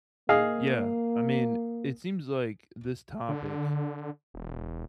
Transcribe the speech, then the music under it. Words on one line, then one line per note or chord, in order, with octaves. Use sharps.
Yeah. I mean, it seems like this topic
A#3 G#4 D#5 F5
D3
E1